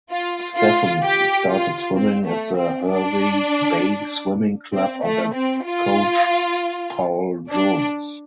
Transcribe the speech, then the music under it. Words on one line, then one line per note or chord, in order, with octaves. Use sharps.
Stephens started swimming at the Hervey Bay swimming club under coach Paul Jones.
F4
F4
G4
F4
C4
A3
C4
D4
C4
A3
C4
F4
D4